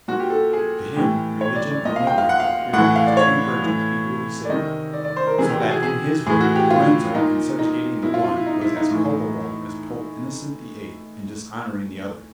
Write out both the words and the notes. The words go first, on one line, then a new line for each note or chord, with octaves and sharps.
To him religion and liberty appeared as two virgins equally sacred; so that, in his view, Lorenzo in subjugating the one was as culpable as Pope Innocent VIII in dishonouring the other.
A#2 F#4
G4
A4
G#4
A2 E3 G4
C#5
D5
D5
A#2 D#5
F5
G5
F5
F#5
F5
A2 F#5
E3
F#5
F5
D5
C#5
A2 E3
D5
C3 D#3 D#5
D5
D5
C5
A#4
C3 E3 G#4
G4
F#4
G#4
G#4
A2 E3 G#4
F#4
G4
F4
A#2 D#4
D#4
B2 E4
F4
F4
E4
D#4
E4
D#4
A2 E3